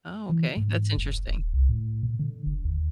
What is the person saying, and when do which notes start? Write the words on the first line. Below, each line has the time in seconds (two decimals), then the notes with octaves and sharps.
Oh, okay, that's interesting.
0.29 E3
0.57 G#2
0.97 F#1
1.27 D#1
1.54 C2
1.69 A2
2.03 A#2
2.19 D3
2.46 F#1
2.65 D#2